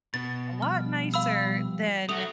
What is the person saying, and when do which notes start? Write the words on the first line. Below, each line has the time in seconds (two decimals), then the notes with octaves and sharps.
a lot nicer than
0.14 B2 A6
0.62 F3 G3 F6
1.14 F5 B5 E6
2.09 A3 F#4 D#6 F7